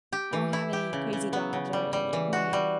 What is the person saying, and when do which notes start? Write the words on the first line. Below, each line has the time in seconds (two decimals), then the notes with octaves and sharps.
I don't have any crazy jobs or and, like, my
0.12 G4
0.33 E3
0.53 E4
0.73 G4
0.93 C#3
1.13 C#3
1.33 B3
1.53 C#3
1.73 G3
1.93 G3
2.13 E3
2.33 F#4
2.53 G3